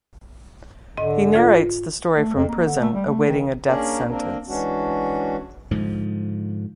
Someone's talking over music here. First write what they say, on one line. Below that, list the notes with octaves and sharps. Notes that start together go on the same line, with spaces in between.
He narrates the story from prison, awaiting a death sentence.
G#2 D3 D#5
F4 G#4
A3
F2
A#3
D3
A3
G3
A3
D#3
A#3 C#4 D4 G#4 A#4 D5
A#3 C4 D4 A#4
E3 G#3 C#4 D4 F#4
G#2 D3 F3